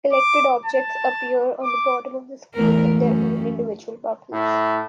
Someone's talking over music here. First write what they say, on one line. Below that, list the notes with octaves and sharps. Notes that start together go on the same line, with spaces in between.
Collected objects appear on the bottom of the screen in their own individual bubbles.
D6
A5
D6
E2 A3 A#4
F#2 A3 C#4
A2